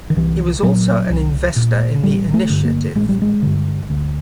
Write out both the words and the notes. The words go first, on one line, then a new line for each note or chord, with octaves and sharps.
He was also an investor in the initiative.
D#3
C2 E3
A#2 F#3
C2
A#2
A1 G3
A3
G2 D3
A#3
A1 G#3
G3
G#3
G2 D3
D2